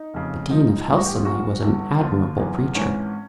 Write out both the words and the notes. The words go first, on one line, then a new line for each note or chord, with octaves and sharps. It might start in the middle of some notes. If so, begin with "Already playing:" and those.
The dean of Helstonleigh was an admirable preacher.
Already playing: D#4
F1 F2 C#3
C#2 C#3 F3 D#4
D#4
A1 G2 E3 F4
F#4
G4
F4
B1 A#2 F3 F#4
G1 G2 E3
D#2 D3 F3 F4
G1 F#2 C#3 E3
G#1 G#2 E3 C#4